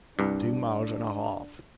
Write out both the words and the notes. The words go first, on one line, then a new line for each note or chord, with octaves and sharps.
"Two miles and a half."
C2 G2 D4